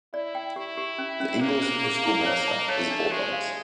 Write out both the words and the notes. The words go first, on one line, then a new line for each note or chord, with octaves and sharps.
The Ingalls High School mascot is Bulldogs.
E4 D5
G5
E4 G4
G4
C#4
C#4
A#3 C5
C5
G#4
E4
C#5
A5
A3 C#5
D4
G#3 G4
F5